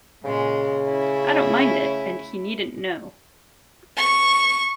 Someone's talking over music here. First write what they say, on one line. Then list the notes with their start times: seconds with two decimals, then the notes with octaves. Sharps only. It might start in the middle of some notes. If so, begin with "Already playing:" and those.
'I don't mind it, and he needn't know.
0.24 A#2 C#3 G#3
0.85 A3 C#4 E4
3.97 C#6